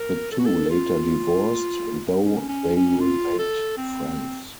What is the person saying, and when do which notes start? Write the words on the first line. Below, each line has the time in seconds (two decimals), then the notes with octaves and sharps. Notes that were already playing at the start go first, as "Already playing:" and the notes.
The two later divorced, though they remained friends.
Already playing: A#4
0.32 A4
0.39 F#4
0.46 A4
0.70 F4
2.24 C#4
2.49 C#4
2.76 C#4
3.01 F4
3.39 A4
3.77 C4